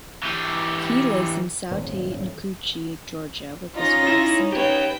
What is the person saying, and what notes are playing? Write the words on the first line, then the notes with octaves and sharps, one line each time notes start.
He lives in Sautee Nacoochee, Georgia with his wife Cindy.
E3 G4
D#1 G#1 F2 A#2
C#4 D#4 F4 A#6
E4
G4 B4 C#5 G5